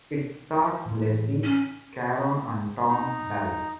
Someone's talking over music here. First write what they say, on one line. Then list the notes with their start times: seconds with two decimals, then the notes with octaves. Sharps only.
It stars Leslie Caron and Tom Bell.
0.86 A2 E3
1.44 C#4
2.89 D#4